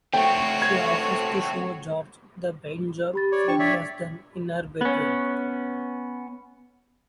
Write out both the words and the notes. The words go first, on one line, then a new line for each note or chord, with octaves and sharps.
She offers to show George the paint job Freddie has done in her bedroom.
A3 C4 F#4 C#5 G5
G#6
G4 B5 A6
C#5 D5
D4 G5 C#6
C#5 D5 E5
B3 C#4